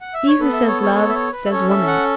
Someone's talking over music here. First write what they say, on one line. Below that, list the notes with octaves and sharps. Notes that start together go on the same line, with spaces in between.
He who says love, says woman.
F#5
E5
C#5
B3 A4 B4
E5
C#5
C#5
C#5
E5
C#5
B4
E5
C#4 A4 C#5
E5
F#5